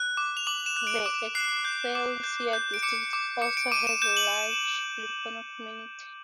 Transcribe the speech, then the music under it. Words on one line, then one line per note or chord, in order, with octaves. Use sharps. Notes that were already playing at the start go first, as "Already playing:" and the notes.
The Excelsior District also has a large Filipino community.
Already playing: F#6
D6
F7
D6 F#7
E7
F#6
D7
D6
F#6 C7
G6
D6
G6
G6
D7
D6 C#7
D6
D6 C#7
D7
D6 D#7
E7
G6 E7
F#7